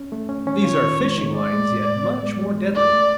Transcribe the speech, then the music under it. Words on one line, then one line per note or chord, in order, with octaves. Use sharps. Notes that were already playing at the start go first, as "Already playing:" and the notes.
These are fishing lines, yet much more deadly.
Already playing: C#4
A3
C#4
C#4
F4 C#5
D#3
G#3
D#3
G#3 D5
G#3
A2
A2
B3
G#3
G#3
G#3
A3 D5
A3